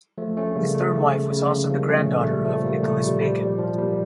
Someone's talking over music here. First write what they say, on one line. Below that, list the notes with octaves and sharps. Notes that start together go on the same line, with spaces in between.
His third wife also was the granddaughter of Nicholas Bacon.
F3 A3
A3 C#4
C#3 G3 A#3
A3
C#3
C#3
F3 G3 A#3
A3 C#4
A#2
A3
G3
F3 A3
G3 A#3
A#2 A3
G3
F3 G3
G3
F3
G3 A#3